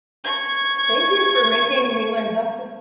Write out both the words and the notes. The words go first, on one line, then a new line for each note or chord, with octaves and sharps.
Thank you for making me learn that's a
C#6 G#6